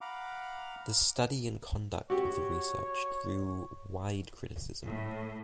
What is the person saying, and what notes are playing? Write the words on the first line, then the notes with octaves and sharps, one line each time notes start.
The study and conduct of the research drew wide criticism.
F5 F#5 A#5 B5 D6
F#4 G4 C#5
A2